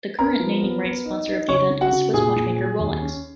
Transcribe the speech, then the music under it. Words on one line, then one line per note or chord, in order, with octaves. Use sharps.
The current naming rights sponsor of the event is Swiss watchmaker Rolex.
B3 A#4 A#5
F3
B3
B3
D#4
D#4
C#3 C#5 C#6
C#3
F#4 F#5
C#3
A#2 G#4 G#5
A#2
F#3
D#2
C#4